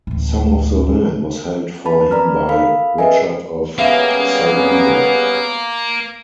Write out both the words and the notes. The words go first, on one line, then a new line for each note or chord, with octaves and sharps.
Some of the land was held for him by "Richard of Soudeval".
A1 D2
B4 A5 B5
A#4 D5 A#5 B5 F6
A4 A#4 F5 B5
G#4 A#4 B4 D#5 E5 G#5
G3 A#3 B3 C#4 G#4 E5 F5